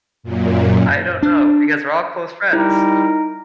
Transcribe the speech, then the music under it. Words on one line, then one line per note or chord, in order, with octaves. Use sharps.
I don't know, because we're all close friends.
F#2 A#2
D4
G3 D#4 E4 A#4